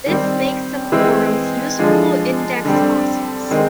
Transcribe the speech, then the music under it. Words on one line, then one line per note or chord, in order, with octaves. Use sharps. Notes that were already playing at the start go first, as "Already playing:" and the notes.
This makes some corals useful index fossils.
D#3 G3 C4
E3 G#3 C4 E4
D3 F3 G#3
D3 G3 C4
D#3 G#3 C4 D#4